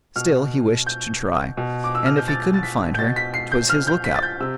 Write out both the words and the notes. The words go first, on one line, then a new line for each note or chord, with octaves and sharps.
Still he wished to try, and if he couldn't find her, 'twas his look-out.
B2 F6
G6
B2
D6
E6
F6
G6
A6
A6
B6
G6
B2 A6
B6
C7
G6
F6
G6
B6
A6
G6
C3 E6